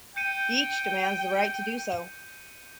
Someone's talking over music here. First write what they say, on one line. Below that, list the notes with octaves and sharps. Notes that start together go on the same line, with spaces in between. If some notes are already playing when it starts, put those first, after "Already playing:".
Each demands the right to do so.
G5 G6 C#7 D#7